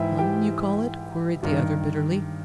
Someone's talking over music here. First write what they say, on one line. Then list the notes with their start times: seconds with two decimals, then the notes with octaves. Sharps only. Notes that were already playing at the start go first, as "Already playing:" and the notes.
"Fun, you call it?" queried the other bitterly.
Already playing: G#2 E3 E4 E5 G5
0.18 G4 G5
1.43 G2 D#3